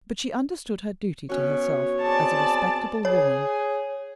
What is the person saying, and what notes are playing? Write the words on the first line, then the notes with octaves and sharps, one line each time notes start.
But she understood her duty to herself as a respectable woman.
B2 C#4 C#5
C4 G#4 D5 A5
G#4 C#5